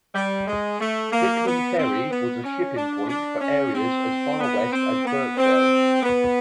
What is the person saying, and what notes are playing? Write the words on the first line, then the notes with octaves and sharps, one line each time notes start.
Hickman Ferry was a shipping point for areas as far west as Burkeville.
G3
G#3
A3
A#3
B3
C4
B3
C#4
D4
D4
C#4
C4
B3
C4
B3
C4
B3